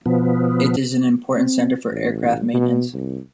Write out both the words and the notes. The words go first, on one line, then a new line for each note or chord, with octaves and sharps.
It is an important centre for aircraft maintenance.
B2 F3 B3
C4
A1
B2
C2